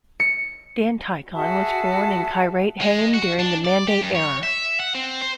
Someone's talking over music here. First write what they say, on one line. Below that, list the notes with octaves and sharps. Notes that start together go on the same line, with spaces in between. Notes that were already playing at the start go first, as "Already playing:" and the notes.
Dan Tichon was born in Kiryat Haim during the Mandate era.
C#7
F#4 G#4 E5 A5
G#3
F#4
D4
D5
G4
F#2
C#5
E5
F#5
C4
C5